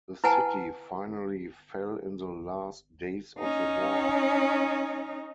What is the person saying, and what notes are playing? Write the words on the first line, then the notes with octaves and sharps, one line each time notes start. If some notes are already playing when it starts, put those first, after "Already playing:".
The city finally fell in the last days of the war.
E4 B4 F#5 G#5 A5
C#4 D#4